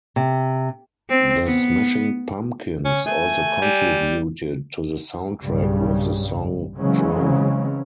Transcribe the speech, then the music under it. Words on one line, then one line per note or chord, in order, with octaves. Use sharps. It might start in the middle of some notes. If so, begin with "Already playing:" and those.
The Smashing Pumpkins also contributed to the soundtrack with the song "Drown".
C3
C4
B3
C#4
A3 G#5
G3
B1 G2 C#3 G3
C#3 E3 F#3 G#3 C4 C#4